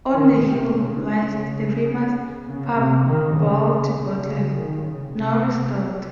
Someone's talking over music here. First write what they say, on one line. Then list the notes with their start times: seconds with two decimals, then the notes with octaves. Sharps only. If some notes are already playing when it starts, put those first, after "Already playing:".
On the hill lies the famous "Parbold Bottle", now restored.
0.13 D#3
0.43 C3
0.72 C#3
1.31 C#3
2.47 C#3
2.77 C3
3.06 D#3
3.36 C#3
4.23 C#3
4.53 D#3
4.81 C#3
5.11 C3
5.40 C3